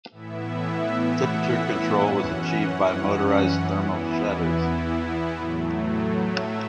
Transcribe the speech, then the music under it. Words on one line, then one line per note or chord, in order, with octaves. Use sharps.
Temperature control was achieved by motorized thermal shutters.
A2 E3 B3 E4 E5
E5
F#5
F#2 E3 C#4
E2 E3 B3 E4
A2 F#3 A3
E5